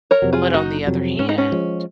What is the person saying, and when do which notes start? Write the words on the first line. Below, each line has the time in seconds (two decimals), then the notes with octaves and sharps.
But on the other hand,
0.11 A#4 C#5
0.22 F2 C3 F#3
0.33 F4 G#4
0.54 F#1 D#4 F#4
0.87 F2 C3 F#3
1.19 G#2 C#4
1.29 D#4
1.38 C#4
1.52 F3 G#3